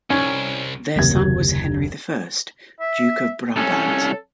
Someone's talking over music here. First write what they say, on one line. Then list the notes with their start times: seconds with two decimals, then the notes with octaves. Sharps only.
Their son was Henry the First, Duke of Brabant.
0.10 C2 C#4
0.96 F#1 D#2 C3 G#6
2.80 E5
3.56 C2 C#4 A4